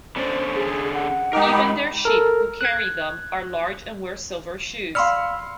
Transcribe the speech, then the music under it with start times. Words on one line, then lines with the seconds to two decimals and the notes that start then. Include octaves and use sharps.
Even their sheep, who carry them, are large and wear silver shoes.
0.16 D3 C#4 C5 D5
0.55 G#4
0.94 F#5
1.33 G#3 D#4 G4 A#4
1.52 B5
2.05 A4 A#4
2.61 F#6 G#6
4.95 D5 F5 B5 C6 E6 F6 C#7